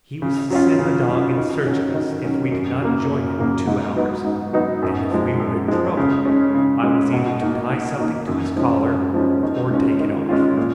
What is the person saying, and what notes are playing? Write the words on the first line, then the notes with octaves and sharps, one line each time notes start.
"He was to send the dog in search of us if we did not join him in two hours; and if we were in trouble I was either to tie something to his collar or take it off."
C#3
F#3 C#4 F4
C#3
F#3 C#4 F4
D#3
F#3 C#4
D#3
F#3 C#4
F#2
C#3 F#3 A#3
F#2
C#3 F#3 A#3
G#2
F#3 B3 D#4 F#4
G#2
F#3 B3 D#4 F#4
F#2
F3 G#3
F#2
F3 G#3
C#3
G#3 C#4
C#3
G#3 C#4
B2
A#3 D#4 F#4
B2
A#3 D#4 F#4
F#2
F3 G#3 C#4
F#2
F3 G#3 C#4
D#3
G#3 C#4 F4
D#3
G#3 C#4 F4
A#2